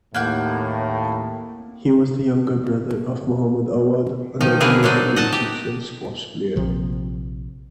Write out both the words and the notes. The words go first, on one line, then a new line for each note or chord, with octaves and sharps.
He was the younger brother of Mohammed Awad another notable Egyptian squash player.
D#2 A2 A#3 F#5 G6
D#3 F3 D#4
D3 A#3 C4 G#4 A#4 B4
A#2 F#3 D4 D#4
D#5 F#5 A5
G4
A#1 C3 F3